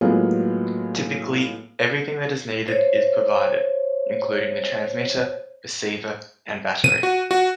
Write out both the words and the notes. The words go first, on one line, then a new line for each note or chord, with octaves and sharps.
Typically, everything that is needed is provided, including the transmitter, receiver and battery.
A2 F#3 G#3 A#3 B3 F4
C5 C#5
D#7
F#4
F#4